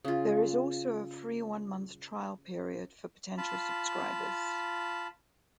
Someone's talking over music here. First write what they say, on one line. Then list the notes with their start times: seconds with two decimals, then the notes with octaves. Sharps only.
There is also a free one-month trial period for potential subscribers.
0.05 C#3 F4
3.38 F4 A5 B5